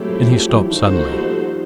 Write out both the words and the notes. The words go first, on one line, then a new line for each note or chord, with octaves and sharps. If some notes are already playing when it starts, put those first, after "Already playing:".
Then he stopped suddenly.
Already playing: F#3 G#3 A3 C4 E4 G4
F3 G3
F3 G3
E3 F#3
D#3 F3 A#3 D#4 F#4 A4 C5
F3 G3